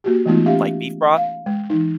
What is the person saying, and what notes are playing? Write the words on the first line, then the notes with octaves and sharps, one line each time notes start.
like, beef broth.
A#3 F#4 G4
E3 G#3 A3 B3 D#4 F4
C#4 G4 E5 F5
F5
G#3
E3 D#4